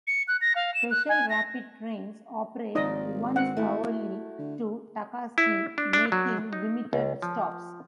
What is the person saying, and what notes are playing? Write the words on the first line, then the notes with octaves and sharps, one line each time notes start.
Special rapid trains operate once hourly to Takasaki, making limited stops.
C#7
F#6
A#6
F5
E7
F#6
G#5
A#6
G#1 D#2 F3 D#4 D5 D#5
C4 F#5
A3 E4 F#4
D3
E4
D4
D4
F#3
D#4
C#2
F3